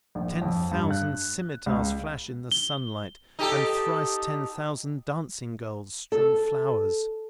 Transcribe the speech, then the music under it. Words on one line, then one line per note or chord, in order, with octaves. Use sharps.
Ten thousand scimitars flash in the sunlight, and thrice ten thousand dancing-girls strew flowers.
A#1
F2
G2
F#6
C#2
G7
D#4 G4 A4
A4